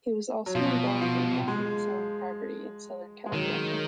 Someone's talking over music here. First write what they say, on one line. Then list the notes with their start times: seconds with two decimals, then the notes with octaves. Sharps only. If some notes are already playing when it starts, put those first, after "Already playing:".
He also was involved in buying and selling property in Southern California.
0.46 F#3
0.55 B2 F3
1.01 F3
1.48 G#3
3.26 G#3
3.33 D#3 F#3